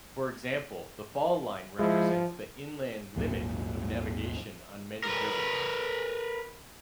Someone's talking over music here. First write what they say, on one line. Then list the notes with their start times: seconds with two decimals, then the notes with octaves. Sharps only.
For example, the fall line represents the inland limit of navigation on many rivers.
1.79 F3 G#3 E4
3.16 G#1 D#2 A#2 F#3
5.04 A#4 B4